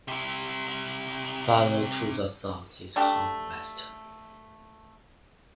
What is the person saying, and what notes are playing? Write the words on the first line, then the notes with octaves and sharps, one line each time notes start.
Farther to the south is Hoffmeister.
C3 E4
A3 D4 G4 A4